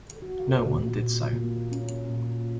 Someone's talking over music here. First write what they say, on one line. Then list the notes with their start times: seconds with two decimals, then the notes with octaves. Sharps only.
No one did so.
0.22 F#4
0.59 A#2
0.97 A#2
1.33 A#3
1.72 C#4
2.09 A#2